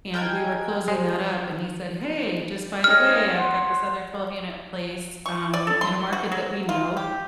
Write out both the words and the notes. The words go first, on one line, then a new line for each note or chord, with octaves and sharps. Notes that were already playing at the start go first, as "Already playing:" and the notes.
and we were closing that up and he said, "Hey, just by the way, I've got this other twelve-unit place," um, in a market that we know,
G#4 D#5 G5 A#5 B5 F6 F#6 G#6
G#3 G4 G#4 C5
C#4 D#4 G5 F6
F#5 C6
C#6
D5
A4
C6
F#4
F#3
F4
G4